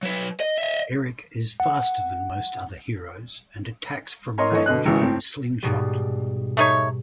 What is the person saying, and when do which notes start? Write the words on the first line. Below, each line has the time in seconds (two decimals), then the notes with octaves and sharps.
Erik is faster than most other heroes, and attacks from range with a slingshot.
0.03 F#3 B4
0.40 D#5
0.58 D#5 E5
1.60 F#5
4.38 A#4 C#5 D#5 C6
4.51 E3 A3 C#5 D#5
4.66 B2 D3 D#5 F#6
4.85 G#1 C#3 E3
5.01 A2 C4
5.63 G#2 B2 G3
6.57 A3 D#4 C#5